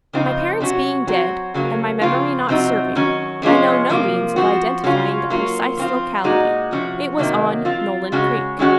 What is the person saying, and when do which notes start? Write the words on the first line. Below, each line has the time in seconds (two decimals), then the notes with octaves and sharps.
My parents being dead, and my memory not serving, I know no means of identifying the precise locality. It was on Nolen Creek.
0.13 C#3 F3 C4 D#4
0.60 C3 F#3 C#4 F#4
1.07 F#3 C4 F#4
1.54 C#3 F#3 A#3
2.01 C#3 F3 C4 F4
2.49 C3 F3 C4 D#4 F#4
2.95 D#3 F#3 C#4
3.42 C3 F3 G#3 C#4 F4
3.89 C3 F3 A#3
4.36 F3 C4 F#4
4.84 C#3 F#3 C#4 F4
5.30 F#3 A#3 F4
5.77 F3 C4 F4
6.24 A#2 G#3 D#4 F#4
6.71 C3 F3 G#3 C#4 F#4
7.18 C3 D#3 F#3 A#3
7.65 F3 C4 F4
8.12 C#3 G#3 C#4 F#4
8.59 D#3 G#3 C#4 F#4